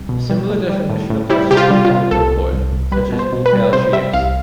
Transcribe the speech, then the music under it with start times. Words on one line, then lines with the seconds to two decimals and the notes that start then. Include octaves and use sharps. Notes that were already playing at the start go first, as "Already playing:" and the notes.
A similar definition applies to sheaves on topoi, such as etale sheaves.
Already playing: C2
0.09 B2
0.30 G3
0.50 A2
0.69 G3
0.90 A2
1.10 A2
1.30 G3 E4
1.51 C3 G4
1.57 F4
1.71 G3
1.85 F4
1.91 C3
2.11 C2 A4
2.31 C2
2.52 C2
2.72 C2
2.92 G3 B4
3.12 B2
3.19 C5
3.33 B2
3.46 B4
3.53 G3
3.73 C3 C5
3.93 G3 E5
4.13 C2 F5